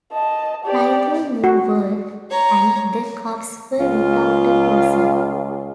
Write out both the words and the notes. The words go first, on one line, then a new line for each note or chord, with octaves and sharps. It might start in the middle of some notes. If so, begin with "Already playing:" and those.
Neither move worked, and the Cubs were without a closer.
D#5 A5
G4 D5
F#4
C#5 A#5
C#2 F4